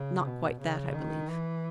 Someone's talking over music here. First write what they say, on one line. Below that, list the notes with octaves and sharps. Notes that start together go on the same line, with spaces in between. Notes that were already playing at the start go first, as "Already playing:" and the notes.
"Not quite that, I believe."
Already playing: C#3
B2
C#3
D#3
E3